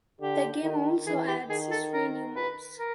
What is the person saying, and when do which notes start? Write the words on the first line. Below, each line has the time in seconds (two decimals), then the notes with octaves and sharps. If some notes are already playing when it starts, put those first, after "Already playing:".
The game also adds three new modes.
0.21 D3 G4
0.63 D#3
1.07 E3 G#4
1.28 G4
1.50 D#3 G#4
1.71 A4
1.93 A#4
2.36 B4
2.79 A#4